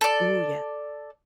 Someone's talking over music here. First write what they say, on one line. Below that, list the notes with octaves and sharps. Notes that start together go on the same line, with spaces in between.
Ooh, yeah.
A4 D5